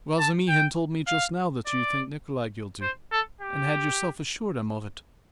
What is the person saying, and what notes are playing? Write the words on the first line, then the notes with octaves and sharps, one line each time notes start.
"Razumihin told me just now that you think Nikolay guilty and had yourself assured him of it...."
A5
G5
F5
D5
C5
A4
G4